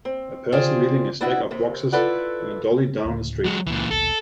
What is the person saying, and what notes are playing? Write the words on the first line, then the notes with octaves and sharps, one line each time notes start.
A person wheeling a stack of boxes on a dolly down a street.
C4
F4 G4 G#4 C5 D5
B3 D4 E4 F#4 F#5
D#2 C3
E4 F4 A4 B4 D5 F#5
D2 A2 C#3
F#3 G#3
C#2 A#2 E3
A#1 D#2 B2 A4